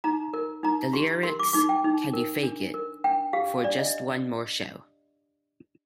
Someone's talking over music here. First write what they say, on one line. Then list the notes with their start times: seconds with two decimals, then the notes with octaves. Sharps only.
The lyrics Can you fake it, for just one more show?
0.04 D#4 A#5
0.34 A#4
0.63 D#4 A#5
0.93 G4 C6
1.23 A#4 C6
1.39 D6
1.53 D#4 D6
1.69 G5
1.84 D#4
2.13 A#4
2.43 D4
2.74 A#4
3.04 D4 G5
3.33 G4 F5
3.64 D4 D5
3.79 D#5